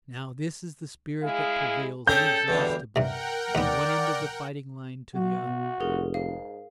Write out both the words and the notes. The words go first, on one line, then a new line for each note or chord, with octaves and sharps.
Now this is the spirit that prevails inexhaustibly from one end of the fighting-line to the other.
G#3 E4 G#4 F5
C#4 G#4 A4 D5 G5 G6
E2 B2 D3 G3
G2 C3 A#4 F#5 G5
D#2 B3 D5
F#3 F#4
B2
F1 G#4 A#4
G#2 F5